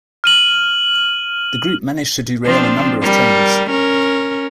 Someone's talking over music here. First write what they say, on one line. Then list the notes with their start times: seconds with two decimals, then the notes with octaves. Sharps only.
The group managed to derail a number of trains.
0.24 F6 D#7 F#7
2.45 F3 C4 D4
3.02 G3 A#4
3.70 C#4 A#4